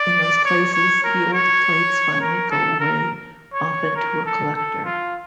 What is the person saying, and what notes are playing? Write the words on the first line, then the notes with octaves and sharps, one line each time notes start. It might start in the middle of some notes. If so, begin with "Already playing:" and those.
In those places, the old plates finally go away, often to a collector.
Already playing: D5
C#5
C#5
A#4
C#5
A#4
A4
A#4
C#5
A#4
A4
A4
F4